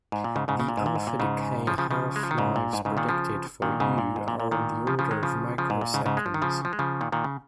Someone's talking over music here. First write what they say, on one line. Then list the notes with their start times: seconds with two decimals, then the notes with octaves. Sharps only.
The alpha-decay half-lives predicted for Uue are on the order of microseconds.
0.12 G#2
0.24 A#2
0.36 G#2 C#3
0.48 G#2 C#3
0.60 C#3
0.69 A#2
0.77 G#2
0.86 A#2
0.96 G#2
1.07 A#2
1.20 G#2 C#3
1.67 C#3 F3
1.78 C#3 F3
1.91 C#3 F3
2.16 G#3
2.23 F3
2.31 D#3
2.38 G#2 C#3
2.56 A#2
2.73 G#2
2.85 G#2 C#3
2.97 A#2 D#3
3.09 C#3 F3
3.62 A#2 D#3
3.80 G#2 C#3
3.98 A#2
4.16 G#2
4.28 A#2
4.40 A#2
4.51 A#2 D#3
4.87 C#3 F3
4.99 C#3 F3
5.11 D#3 G#3
5.23 C#3 F3
5.58 C#3 F3
5.70 G#2
5.81 A#2
5.94 G#2 C#3
6.06 G#2 C#3
6.17 G#3
6.26 F3
6.34 D#3
6.42 C#3 F3
6.65 F3
6.73 G#3
6.79 C#3 F3
7.01 A#2 D#3
7.12 A#2 D#3
7.24 C#3